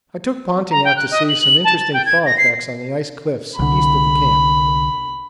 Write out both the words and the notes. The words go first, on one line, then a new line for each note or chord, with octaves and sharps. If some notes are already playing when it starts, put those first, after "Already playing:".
I took Ponting out to see some interesting thaw effects on the ice cliffs east of the Camp.
A#5
G5
F#6
D#5
F#7
F#7
A5
A6
G5
G#6
A#6
C7
C2 D3 B5